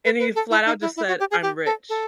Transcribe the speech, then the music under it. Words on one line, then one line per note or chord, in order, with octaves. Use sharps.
and he flat out just said, "I'm rich."
B4
B4
A4
E4
D#4
E4
E4
F#4
G4
G#4
G4
A4
A4